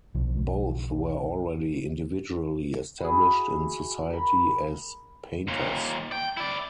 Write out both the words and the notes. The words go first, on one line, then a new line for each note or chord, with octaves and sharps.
Both were already individually established in society as painters.
B1 F3
E4 F#4 G#4
A#4 B5
D#2 A#2
G5
E4 D5